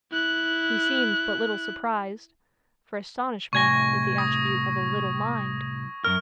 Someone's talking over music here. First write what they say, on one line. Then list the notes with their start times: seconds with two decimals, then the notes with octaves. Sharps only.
He seemed but little surprised, for astonishment is the attribute of a little mind.
0.12 E4 F#6
3.53 C2 A2 G#5 C#6 G#6 A#6
4.18 D#6
6.04 F#2 A#4 F6